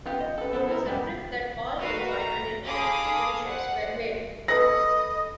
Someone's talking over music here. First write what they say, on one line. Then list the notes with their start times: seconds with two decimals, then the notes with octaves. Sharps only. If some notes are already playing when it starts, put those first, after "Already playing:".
It was a trip that all enjoyed and international friendships were made.
0.05 B3 F4 G4
0.20 D#5
0.38 A4 B4
0.53 B3 A4 C5
0.68 E4 A#4
0.86 G3 G#3 B3 G4
1.78 F#4 A#4 B4 F5
2.10 A#5
2.64 G#4 A4 F5 B5 D6 D#6
3.44 C5 F#5
4.48 A4 B4 D#5 B5 A#6